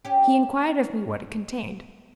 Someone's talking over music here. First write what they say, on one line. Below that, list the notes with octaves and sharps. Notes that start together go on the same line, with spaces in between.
He inquired of me what it contained.
C#4 G4